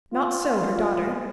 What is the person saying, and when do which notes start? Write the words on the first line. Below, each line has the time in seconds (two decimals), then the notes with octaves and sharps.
Not so her daughter.
0.13 F4